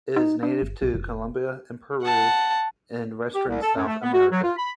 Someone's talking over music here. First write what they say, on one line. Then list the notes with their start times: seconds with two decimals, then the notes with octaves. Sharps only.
It is native to Colombia and Peru in western South America.
0.16 D#4
0.43 D4
0.62 G1
0.82 B1
0.94 F1
2.03 F#5 A5
3.35 G4
3.48 C2
3.62 A4
3.75 F#2
3.87 A3
4.02 B3
4.14 F#4
4.31 F#3
4.43 F4
4.57 B5